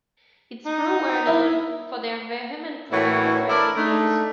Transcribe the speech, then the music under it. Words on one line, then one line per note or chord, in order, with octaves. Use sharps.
Its crew were known for their vehement pro-democracy views.
D#4
E4
A2 E3 E4 F#4 A#4 C#5
D4 E4 A#4 D5
A3 D4 D#4